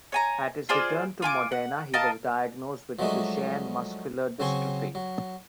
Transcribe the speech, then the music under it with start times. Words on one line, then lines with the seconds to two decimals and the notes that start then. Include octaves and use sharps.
At his return to Modena, he was diagnosed with Duchenne muscular dystrophy.
0.12 C#5 G#5 A#5
0.69 F4 G#4 C5 D5
1.22 F4 G#5 D6
1.52 F#5
1.94 A#4 D#5 F5 A5
2.99 F3 F#3 G#3 A3 D4 D#4
4.40 C#3 F#3 C4 C5 G#5 C#6
4.95 F#3